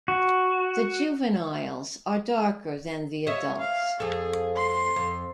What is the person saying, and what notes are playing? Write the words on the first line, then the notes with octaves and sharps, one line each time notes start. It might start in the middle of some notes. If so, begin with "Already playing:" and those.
The juveniles are darker than the adults.
F#4
C#5 D#5 E5
F5
F2 G#4 A4
C6
F2